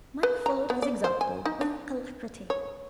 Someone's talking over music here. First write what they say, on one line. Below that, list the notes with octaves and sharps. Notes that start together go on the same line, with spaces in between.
Mike followed his example with alacrity.
B4
A#5
B3
D5
C5
G#5
D#4
D4
C#5